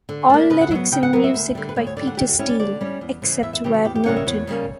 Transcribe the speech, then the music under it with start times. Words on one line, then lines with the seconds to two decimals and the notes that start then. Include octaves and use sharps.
All lyrics and music by Peter Steele, except where noted.
0.09 D3
0.30 A#3 D4
0.50 C#3 B4
0.61 F#5
0.71 F#3 B3 E5
0.92 C#3 G5
1.03 F#5
1.13 F#3 B3 A#4
1.24 E5
1.34 D2
1.55 D3 G3
1.69 B4
1.76 D2 C#5
1.87 C#5
1.97 D3 G3 D5
2.07 F#5
2.17 D3 G4
2.29 F#4
2.39 G3 C#4 E4 G4
2.49 D5
2.60 D3 D5
2.81 G3 C#4 E4
3.01 E2
3.22 C#3 E3
3.43 E2 E5
3.53 E5
3.64 C#3 E3 G4
3.74 F#4
3.85 E2 G4
3.95 G4
4.06 C#3 G3 A#3 C#4 F#5
4.17 E5
4.27 E2 C#5
4.47 C#3 G3 A#3 C#4